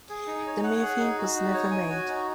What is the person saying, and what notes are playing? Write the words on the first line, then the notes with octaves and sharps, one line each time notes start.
The movie was never made.
G#4
D#4
C#5
F#5
G#4
D#4
F#4
D#4
C#5
G#5
F#4
D#4